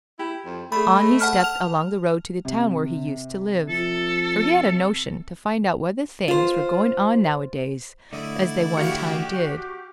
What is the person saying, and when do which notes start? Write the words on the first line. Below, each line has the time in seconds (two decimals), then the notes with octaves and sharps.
On he stepped along the road to the town where he used to live, for he had a notion to find out whether things were going on nowadays as they one time did.
0.19 E4 G4
0.46 F2
0.72 A3 G#4 D5 B5
1.01 G#4 C5 D#5
1.21 F#5 A5 F6
1.40 F6 F7
2.45 C3
3.69 F3 A4
6.28 F4 C5
8.13 D3 A3 E4 D5 D#5
8.77 F#4 G4 F5 C#7